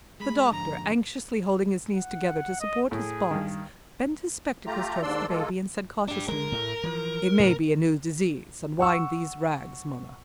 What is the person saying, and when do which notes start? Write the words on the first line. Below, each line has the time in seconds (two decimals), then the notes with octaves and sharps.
The doctor, anxiously holding his knees together to support his box, bent his spectacles towards the baby, and said cautiously, "It may be a new disease; unwind these rags, Monna!"
0.20 G#3 B5
0.51 F2 G#2 D3 A#5
1.95 F#5
2.60 D#5
2.91 A2 G#4
3.31 G2 D#3
4.67 A3 F4 G4 A#5
5.02 D#2 G#2 D4 D5 C6 E6
5.28 G#3 A#3 F4 A4
6.08 D4 G4
6.28 D3 G#3 A#4
6.52 A2 G3 A3
6.84 E3 F3
7.39 A2 C#3
8.79 F#5 C#6 E6